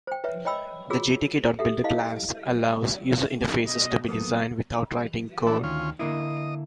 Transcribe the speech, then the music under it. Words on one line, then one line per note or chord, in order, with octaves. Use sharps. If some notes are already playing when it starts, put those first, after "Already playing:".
The "Gtk.Builder class" allows user interfaces to be designed without writing code.
C5 G5
B4 C#5 E5
C#5 D#5 G5 B5 E6
F4 F#4 G#4 C#5 E6
G4 A4 E5
E4 D#5 F5
B2 D#5
F#3 A#3 B3 A4 D#6
E3 A3 D4
D2 D#3 C#4 F4
D3 A#3 E4 D#5